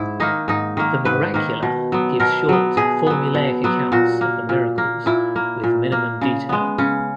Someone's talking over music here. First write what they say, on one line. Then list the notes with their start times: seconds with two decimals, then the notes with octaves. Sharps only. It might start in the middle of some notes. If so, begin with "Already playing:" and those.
The "Miracula" gives short formulaic accounts of the miracles with minimum detail.
Already playing: G#2 E4
0.20 D#3 A#3 D#4
0.48 G#2 D#4
0.77 D#3 A#3
1.05 G#2 B4
1.34 D#3 A#3
1.63 B2
1.92 F#3 B3
2.20 B2 A#4
2.49 F#3 B3
2.77 B2 G#4
3.07 F#3 B3
3.34 B2
3.64 F#3 B3
3.92 A#2 F#4
4.21 A#3
4.49 A#2
4.78 A#3
5.06 A#2 E4
5.36 A#3
5.64 A#2
5.92 A#3
6.21 C#3
6.49 G#3 B3
6.78 C#3 C#4